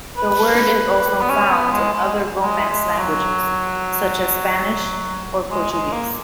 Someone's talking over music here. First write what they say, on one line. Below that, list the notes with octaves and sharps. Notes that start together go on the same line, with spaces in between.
The word is also found in other Romance languages such as Spanish or Portuguese.
B4
B3
C#4
B3
G#3
G#3
G#3
G#3
F#3
G#3
G#3
A#3